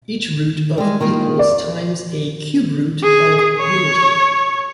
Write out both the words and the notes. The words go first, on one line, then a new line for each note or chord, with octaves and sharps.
Each root of equals times a cube root of unity.
G3 G#3
D#3 A#3 F4
D5
G#4
C#5